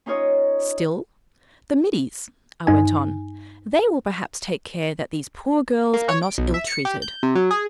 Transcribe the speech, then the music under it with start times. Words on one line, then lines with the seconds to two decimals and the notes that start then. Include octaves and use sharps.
'Still--the middies,' I went on: 'they will perhaps take care that these poor girls are not ill-treated.'
0.06 C#4 D#4 F4 C#5 D#5
2.67 G2 D#4 G#5
5.94 A#3
6.09 C#5
6.23 D7
6.38 B1
6.54 E5
6.67 C#7
6.85 G4
7.02 G6
7.23 C3
7.35 F#3
7.51 G#4